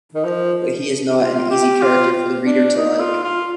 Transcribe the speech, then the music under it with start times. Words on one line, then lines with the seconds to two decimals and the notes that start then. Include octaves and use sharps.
But he is not an easy character for the reader to like.
0.15 D#3
0.24 F3
1.19 F4
1.50 G4
1.82 F4
2.45 D4
2.77 D#4
3.00 F4
3.24 F4